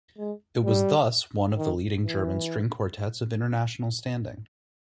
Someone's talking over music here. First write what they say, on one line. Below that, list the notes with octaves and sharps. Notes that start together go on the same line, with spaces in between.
It was thus one of the leading German string quartets of international standing.
G#3
G3
D#3
E3